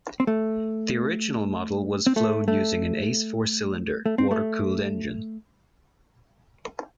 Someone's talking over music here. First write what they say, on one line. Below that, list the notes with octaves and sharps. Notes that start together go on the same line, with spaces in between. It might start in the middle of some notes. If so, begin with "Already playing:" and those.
The original model was flown using an Ace four cylinder water-cooled engine.
C4
A3
C4
A3
A3
A3
C4
A3